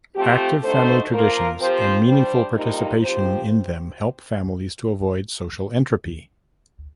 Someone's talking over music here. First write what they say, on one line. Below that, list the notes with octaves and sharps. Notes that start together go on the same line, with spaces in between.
Active family traditions and meaningful participation in them help families to avoid social entropy.
F3 A3 C4 G4
D3 A3 D#4 A4 C5
F3 A#3 F4 A#4
F3 C4 G4 C5
G3 D4 G4 C5
F2 C3 G3 A#3 D#4
F3 C4 G4 C5